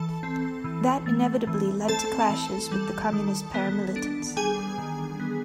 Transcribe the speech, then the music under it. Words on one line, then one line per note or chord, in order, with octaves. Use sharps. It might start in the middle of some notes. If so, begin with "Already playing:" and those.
That inevitably led to clashes with the communist paramilitants.
Already playing: E3 A4 A5
C4
E3
A3
E3
C4 A4 A5
E3
G3
D#3
B3
D4
G3 G#4 G#5
D#3
B3